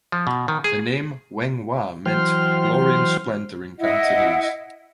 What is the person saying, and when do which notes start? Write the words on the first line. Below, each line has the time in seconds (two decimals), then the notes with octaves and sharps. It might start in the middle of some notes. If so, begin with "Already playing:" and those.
The name "Weng Wah" meant "glory and splendor" in Cantonese.
0.12 F3
0.27 B2
0.48 D#3
0.64 G#4
2.06 E3 F#3 C5 G5 C6 F6
3.79 E4 D#5 F#5